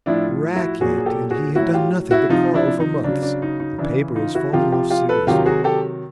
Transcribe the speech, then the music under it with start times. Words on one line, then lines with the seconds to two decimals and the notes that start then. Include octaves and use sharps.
'Rackett and he have done nothing but quarrel for months; the paper is falling off seriously.
0.06 A2 F3 D4 E4
0.56 E4 F#4
0.81 A#2 F#3 F#4 G#4
0.98 G#4
1.06 G4 A4
1.30 F#4 G#4
1.55 A2 F#3 E4 F#4
1.74 F4 G4
2.11 E4 F#4
2.29 C3 F3 D#4 F4
2.54 D4 E4
2.80 D#4
3.04 C#3 F#3 D4
3.23 D4
3.42 D#4
3.60 D#4
3.78 C#3 E3 D4
4.15 D#4 F4
4.35 E4 F#4
4.53 C3 F3 F4 G4
4.72 F4 G4
4.90 F4 G4
5.09 A4 B4
5.27 C3 D#3 F#3 F4 G4
5.46 F#4 G#4
5.64 G4 A4